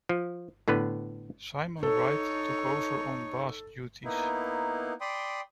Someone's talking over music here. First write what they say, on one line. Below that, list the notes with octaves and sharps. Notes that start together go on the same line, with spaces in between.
Simon Wright took over on bass duties.
F3
A2 D3 B3 B4
D#4 A4 C#5
A#3 B3 D#4 E4
D5 G5 B5 C6 D#6